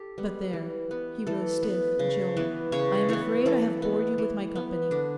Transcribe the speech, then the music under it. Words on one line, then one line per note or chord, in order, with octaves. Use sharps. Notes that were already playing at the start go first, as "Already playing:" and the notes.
But there'--he rose stiff and chilled--'I am afraid I have bored you with my company.
Already playing: G4 A4
G3 B3
E3
B3
E3 A4
B3
C#3
E3 B3
C#3 C#5
E3 B3 C#5
E3 A4
B3
E3
B3
D3 D4